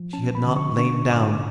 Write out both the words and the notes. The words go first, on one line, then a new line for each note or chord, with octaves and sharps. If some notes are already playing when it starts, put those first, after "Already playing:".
She had not lain down.
Already playing: F3
C#4 A5
B5
D3
C#6
D4 C#6
G#2 D6